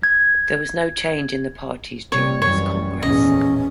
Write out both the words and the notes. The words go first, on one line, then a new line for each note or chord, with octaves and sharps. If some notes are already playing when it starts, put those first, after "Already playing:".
There was no change in the parties during this Congress.
G#6
C3 G3 C#5
F#2 E3 G3 C#5
A#1 E2 A2 C#4 D#5